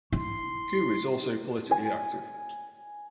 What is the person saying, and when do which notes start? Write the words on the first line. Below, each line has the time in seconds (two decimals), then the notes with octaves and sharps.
Gu is also politically active.
0.12 E4 C6
1.71 G#5